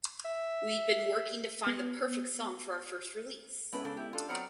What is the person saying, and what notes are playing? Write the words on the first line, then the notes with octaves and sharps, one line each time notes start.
We’d been working to find the perfect song for our first release.
E5
B3
A2 G#3 A3 B3 C#4 B4
C#3 D4 A4
E4 G4
D4 F4 A4
F#3 B3 C4 D5 A#5 F6 C#7 D7